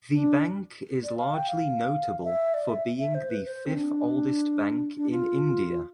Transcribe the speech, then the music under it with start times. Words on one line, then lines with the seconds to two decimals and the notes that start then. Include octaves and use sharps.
The bank is largely notable for being the fifth oldest bank in India.
0.12 D4
1.04 D5
1.18 F5
1.34 G5
1.49 F5
2.24 E5
2.54 D5
2.69 E5
2.99 E5
3.15 C5
3.30 B4
3.45 C5
3.66 C4
3.75 D4
4.97 D4
5.11 F4